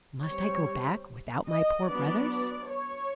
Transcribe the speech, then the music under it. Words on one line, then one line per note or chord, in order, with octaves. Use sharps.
"Must I go back without my poor brothers?"
G3 C4 C#5
D#5
F#3 B3 D4 D5
C#5